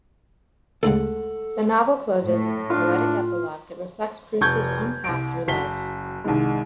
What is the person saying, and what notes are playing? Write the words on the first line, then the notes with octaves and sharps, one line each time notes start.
The novel closes with a poetic epilogue that reflects Prus' own path through life.
D2 G#2 C#3 A4 F#5
A2
D4 F4 F5
F1 C#6 G6 G#6
C2 D7
F#1 B6 G7
C2 G#2 D#3 G#3